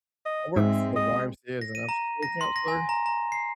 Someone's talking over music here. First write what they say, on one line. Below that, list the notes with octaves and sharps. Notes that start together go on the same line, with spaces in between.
I worked for the YMCA as an after school counselor,
D#5
G#2 G#3 C4 E5
D#5
A#6
D#7
A#5
A#6
C6
A#6
G#5
A#5
A#5
C7